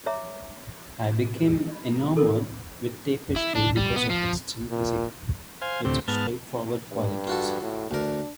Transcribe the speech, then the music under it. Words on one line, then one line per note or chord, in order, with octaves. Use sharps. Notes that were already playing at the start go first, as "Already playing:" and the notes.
I became enamored with tapestry because of its simplicity - its straightforward qualities.
C#5 E5 A#5 D6
A4 A#4
E4
D4
G3
B3
F3
A#2
C5 F5 G#5
D2 A2 C3 C4 G4
G#2 B3 A5 F6
G2
F4 F#4 A4
A2
D2 D4 A#4